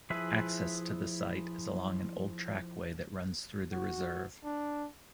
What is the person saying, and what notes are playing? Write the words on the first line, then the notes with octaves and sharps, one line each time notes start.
Access to the site is along an old trackway that runs through the reserve.
F3 E4 G#4 B4 E5
F#4
D4